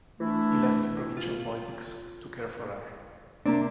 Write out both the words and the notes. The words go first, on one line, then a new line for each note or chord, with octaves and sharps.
He left provincial politics to care for her.
E3 A3 D4 E4
F4
C3 A#3 C4 D4